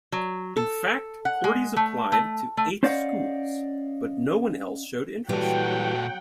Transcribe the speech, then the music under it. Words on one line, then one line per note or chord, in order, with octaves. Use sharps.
In fact, Cordes applied to eight schools, but no one else showed interest.
F#3
A4
F#5
G#3
A3
A3
A3
C#4 C5 D5 D#5 F5 F#5
A#2 E3 F#3 G3 A4 F#5 G5